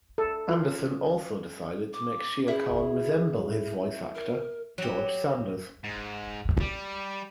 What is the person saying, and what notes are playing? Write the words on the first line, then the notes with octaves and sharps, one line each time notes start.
Anderson also decided to make Shere Khan resemble his voice actor, George Sanders.
A4
F4
D6
E4 G#4
A#4
F#3 G4
G#2
G3